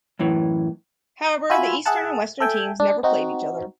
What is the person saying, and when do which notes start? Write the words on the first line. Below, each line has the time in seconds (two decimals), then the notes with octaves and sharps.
However, the eastern and western teams never played each other.
0.19 F#2 A2 E3
1.50 F4 F#4 E5 G#5 B5
1.86 G#4 E5 F#5 A5
2.40 A4 E5 G5 G#5
2.80 D4
3.03 C4 D#4 F#4